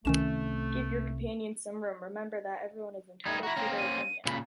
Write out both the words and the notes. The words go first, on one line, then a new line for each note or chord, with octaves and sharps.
Give your companions some room, remember that everyone is entitled to their opinion.
C2 C3 D#3 A3 C#4 E7
G3 D#4 G#6
E4 F#4 A#5
A#3 C4 C#4
D#7
A#2 C#3 B5